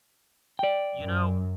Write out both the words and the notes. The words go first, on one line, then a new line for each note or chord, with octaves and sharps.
you know,
D5 G5
F#2